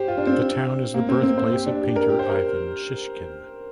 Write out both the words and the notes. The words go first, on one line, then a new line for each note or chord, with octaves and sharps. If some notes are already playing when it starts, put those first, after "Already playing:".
The town is the birthplace of painter Ivan Shishkin.
Already playing: G4 C5
F4
D4
C4
A#3
C4
C4
C5
G4
D4
G4
A#4
G4
C5
A#4